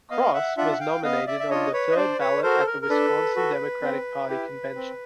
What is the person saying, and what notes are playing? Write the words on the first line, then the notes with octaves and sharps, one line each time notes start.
Cross was nominated on the third ballot at the Wisconsin Democratic Party Convention.
B3 D#5 F5
E5 F#5
D4 F4 E5 F#5
F#5
F5 G5
B3 D#5 F5
D5 E5
E5
D4 F4 C#5 D#5
B4 C#5
D#5
D4 C5 D5
B4 C#5
F#4 A4 A#4 C5
A4
A#4
A#4
D4 A4 B4
F#4 A4
C4
E4 G4
C4